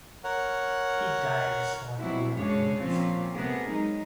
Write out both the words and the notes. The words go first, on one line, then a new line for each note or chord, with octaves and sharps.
He died shortly afterwards.
A#4 C#5 F#5
B2 F#3 G3 C4 E4 F#4
F#2 C#3 G#3 D4 G#4 C#5
A#2 F3 C4 C#4 F4
C3 G3 A3 B3 G#4 A#4
F#3 G#3 D#4